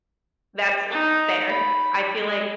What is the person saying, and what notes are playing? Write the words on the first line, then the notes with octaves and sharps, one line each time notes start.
That's fair. I feel like
D#4
B5
G#3